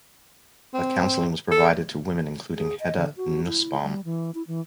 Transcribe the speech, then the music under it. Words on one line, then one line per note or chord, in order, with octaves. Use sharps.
Her counseling was provided to women including Hedda Nussbaum.
C4
A4
G#4
D#5
D3
F#4
E4
G3
E3
E4
E3